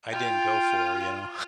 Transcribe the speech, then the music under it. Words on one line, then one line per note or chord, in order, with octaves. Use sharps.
I didn't go for, you know?
F4 G5